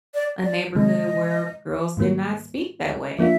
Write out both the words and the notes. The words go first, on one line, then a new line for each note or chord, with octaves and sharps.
a neighborhood where girls did not speak that way.
D5
D5
C3 D#3 G#3 D#5
G#2 D#3 G3 A#3
F3 A#3 D4 F4 E5